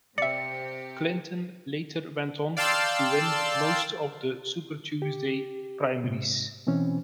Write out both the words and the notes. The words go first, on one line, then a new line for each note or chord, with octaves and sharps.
Clinton later went on to win most of the Super Tuesday primaries.
C3 G4 D5 E5 C#7
D5 F5 G5 A5 C6 E6
G4
G#2 C3
B2 E3 C4 C#4